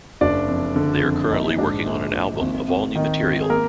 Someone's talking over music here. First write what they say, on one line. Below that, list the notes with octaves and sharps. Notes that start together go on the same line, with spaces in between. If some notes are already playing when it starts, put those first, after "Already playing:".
They are currently working on an album of all new material.
F#1 D4 D5
F2
D3
F2
A#1 D#4
G#2 D4
A#1
A#1
G#1
G#1
D#3 D#4
G#1
G#4
A#3 A#4